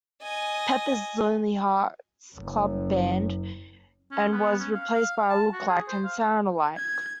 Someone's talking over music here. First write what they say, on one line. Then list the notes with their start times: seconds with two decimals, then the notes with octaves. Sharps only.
Pepper's Lonely Hearts Club Band and was replaced by a look-alike and sound-alike.
0.22 D#5 G#5
2.36 F#1 F#2
4.11 C#4
4.31 B3
4.59 C#4
4.74 F5
4.94 F5
5.17 F5
5.29 A5
5.53 F#4
5.68 G#4
5.88 C5
6.04 F5
6.77 G#6